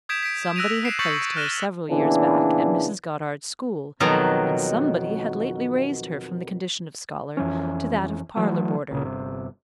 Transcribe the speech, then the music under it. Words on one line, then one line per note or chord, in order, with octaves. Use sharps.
Somebody had placed her, several years back, at Mrs. Goddard's school, and somebody had lately raised her from the condition of scholar to that of parlour-boarder.
D#6 G6 G#6 B6 D7 E7
B6 D7
E6 F#6 A#6 D7 D#7 F7
C7 D7 E7
C#6 G6 A6 B6 C#7 F#7
F6 F#6 A#6 E7 G7
A#2 C#3 E3 B3 D4
F2 B2 D#3 F#3 A5 A#5
F2 E3 C#4
E3 F#3 A3
C#2 A#2 C#3
G1 C3